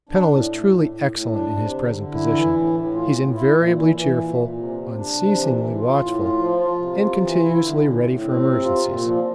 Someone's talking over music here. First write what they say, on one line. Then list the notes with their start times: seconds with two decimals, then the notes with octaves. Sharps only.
Pennell is truly excellent in his present position--he's invariably cheerful, unceasingly watchful, and continuously ready for emergencies.
0.09 D4
0.30 A2
0.50 A2
0.71 A2
0.90 A2
1.11 A2
1.31 D4
1.52 C3
1.72 D3
1.92 D3
2.12 E4
2.33 E3
2.54 A2
2.74 A2
2.94 F4
3.14 A2
3.34 E4
3.54 A#2
3.75 E3
3.95 E3
4.16 A#2
4.36 A#2
4.56 C3
4.77 C3
4.96 D4
5.17 C3
5.37 E3
5.57 E3
5.78 F4
5.98 A2
6.19 F4
6.39 F3
6.59 F4
6.79 C3
7.00 F4
7.20 E3
7.41 E4
7.61 D3
7.81 A2
8.02 A2
8.22 C4
8.43 C3
8.62 F4
8.83 A#2
9.03 F3